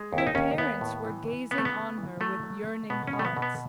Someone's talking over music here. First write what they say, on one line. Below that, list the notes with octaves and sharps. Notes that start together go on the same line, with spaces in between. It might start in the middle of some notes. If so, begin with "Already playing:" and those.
Her parents were gazing on her with yearning hearts.
Already playing: G#3
D#2
E4
D#4
D#2 C#4
D#2 B3
A2
E3
E3
C#3 B3
A3
B3
A3
E3
F#3 A3
F#3
A3
B2 B3
C#4
B2
A3
B3
B2
B3